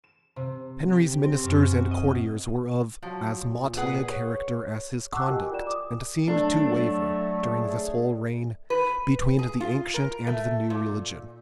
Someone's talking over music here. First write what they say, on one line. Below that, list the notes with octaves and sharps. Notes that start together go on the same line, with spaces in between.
Henry's ministers and courtiers were of as motley a character as his conduct; and seemed to waver, during this whole reign, between the ancient and the new religion.
E7
C3
G4
C4
F#2
F#4
D#5
F3 F#3
A#2
G#4 B4 F#5
C#5
F#5 A5 C#6 D6 E6 F#6
F#4 G4 A#4 D#5 G5 G#5
F4 A#4 D5 E7
D6 D#6
F#3 A3 D4 A4
G#4
B4
G#4
F4
A#4
A3
A#2